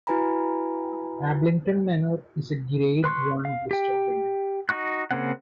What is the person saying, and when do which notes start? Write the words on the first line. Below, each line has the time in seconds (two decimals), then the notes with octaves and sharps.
Ablington Manor is a Grade One listed building.
0.07 E4 F#4 B4 G#5 A#5 B5
3.04 B4 C6 C#6 F#6
3.45 F5
3.71 G4 G5
4.69 D#4 F#4 C#6 F#6
5.11 C#3 A#3 C4 C#4 F#5